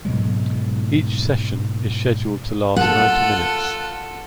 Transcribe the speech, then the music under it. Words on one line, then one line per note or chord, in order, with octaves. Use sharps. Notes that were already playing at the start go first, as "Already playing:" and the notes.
Each session is scheduled to last ninety minutes.
G#2 B2 F#3 G#3
F4 A4 F#5